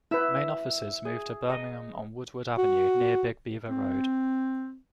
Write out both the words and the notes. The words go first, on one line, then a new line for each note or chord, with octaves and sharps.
Main offices moved to Birmingham on Woodward Avenue near Big Beaver Road.
E4 B4 E5
G#4
D#5
F#4
C4